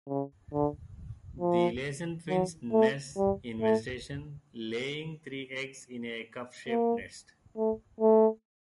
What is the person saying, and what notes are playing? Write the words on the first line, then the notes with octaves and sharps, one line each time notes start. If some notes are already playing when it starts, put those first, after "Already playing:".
The Laysan finch nests in vegetation, laying three eggs in a cup-shaped nest.
C#3
D3
F3
F#3
A3
G3
A3
A#3
A3
A3